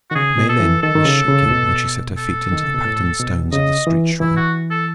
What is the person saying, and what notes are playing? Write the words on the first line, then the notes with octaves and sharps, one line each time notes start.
Miellyn was shaking when she set her feet into the patterned stones of the street-shrine.
D#3 F#4
C#3 G#4
B2
A4
E3
D#3 A4
D#3
C#3
C#3
A2
B2
A4
D#3
C#3
B2
A2
B2
C#3 D#5
E3
E3 E4
F#4
A4